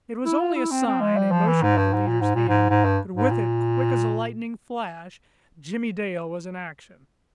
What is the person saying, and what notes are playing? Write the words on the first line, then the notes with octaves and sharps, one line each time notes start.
It was only a sign, a motion of the leader's hand--but with it, quick as a lightning flash, Jimmie Dale was in action.
E4
F4
E4
C4
C4
G#3
G3
F3
E3
G#2
G2
G#2
A#2
G#2
A#2
G#2
G#2
G2
G#2
A#2